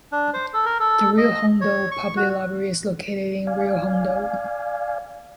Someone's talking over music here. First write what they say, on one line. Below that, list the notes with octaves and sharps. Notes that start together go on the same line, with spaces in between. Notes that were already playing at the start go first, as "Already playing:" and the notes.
The Rio Hondo Public Library is located in Rio Hondo.
D4
C5
A4
A#4
A4
D#5
C#5
C#6
F#4
D5 F5 G#5